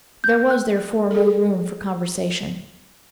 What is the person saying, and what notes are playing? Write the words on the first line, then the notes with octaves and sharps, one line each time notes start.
There was therefore no room for conversation.
G6
F#6
G#4 A4